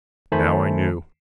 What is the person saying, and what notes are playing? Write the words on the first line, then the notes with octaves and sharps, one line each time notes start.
Now I knew!
D#3 A3 C5 G#5 A5 B5